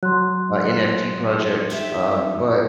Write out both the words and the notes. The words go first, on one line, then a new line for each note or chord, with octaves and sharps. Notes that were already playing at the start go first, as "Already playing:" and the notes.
uh, NFT projects, um, but
F#3 C6 F#6
D#4 G4 E5